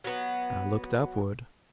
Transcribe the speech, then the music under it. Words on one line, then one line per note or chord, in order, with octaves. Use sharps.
I looked upward.
F#3 B3